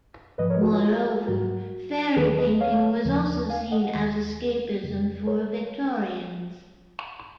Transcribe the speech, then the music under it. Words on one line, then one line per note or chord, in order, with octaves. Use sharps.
Moreover, fairy painting was also seen as escapism for Victorians.
G#2 F3 B4 D#5
A#4 C#5
F#4 A#4
F4 G#4
F4 G#4
G#2 F#3 F#4 A#4
D#2 D#3 F#3 G#4 B4
B4 D#5
C#5 F5
D#2 C#3 F3
F5 G#5
D#5 F#5
D#2 D#3 F#3
F2 C#3 F#3
A#4 C#5